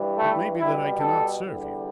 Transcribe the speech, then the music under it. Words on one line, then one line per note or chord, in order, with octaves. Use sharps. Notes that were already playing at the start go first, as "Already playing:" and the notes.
It may be that I can not serve you.
Already playing: G2 E3 G3
A3
B2 G3 E4
A4
E2 D3 G3